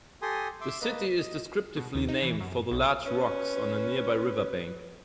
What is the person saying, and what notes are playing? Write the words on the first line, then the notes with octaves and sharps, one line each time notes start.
The city is descriptively named for the large rocks on a nearby river bank.
G4 A4 G#5 C6 D#6
E5 C6 D6 E6
A#3 B4 D#5
D#5
B2
D#2
D#4
E3
F#2
B1
C#4 B4